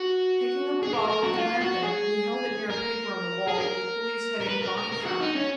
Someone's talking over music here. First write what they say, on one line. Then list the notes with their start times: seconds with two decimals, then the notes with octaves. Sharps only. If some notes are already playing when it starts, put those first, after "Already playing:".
Taking up the bottle with the lamp in it, he held it near a paper on the wall, with the police heading, BODY FOUND.
Already playing: F#4
0.83 G#4
0.94 A#4
1.08 A#4
1.24 F#4
1.34 F#4
1.38 F4
1.61 F#4
1.83 G#4
2.70 A#4
3.48 G#4
3.59 A#4
4.40 A#4
4.47 B4
4.62 A#4
4.76 A#4
4.91 A#4
5.01 G#4
5.06 F#4
5.20 D#4
5.36 C#4